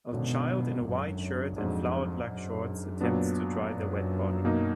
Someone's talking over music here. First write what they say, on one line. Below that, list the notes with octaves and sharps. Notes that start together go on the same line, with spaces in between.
A child in a white shirt and flowered black shorts attempts to dry their wet body.
G#1 F#2 B2 D3 F#3 D4
F#2
F2 G#2 F#3 D4
F#2
A#2 F#3 B3 D4
F#2
B2 A#3 D#4